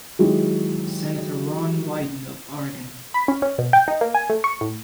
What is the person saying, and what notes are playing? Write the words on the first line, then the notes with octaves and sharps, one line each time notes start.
Senator Ron Wyden of Oregon.
D#3 F#3 G#3 E4 G4
B5
C#4
C#4
B2
G5
D#4
A#3
G#5
A3
C#6
A2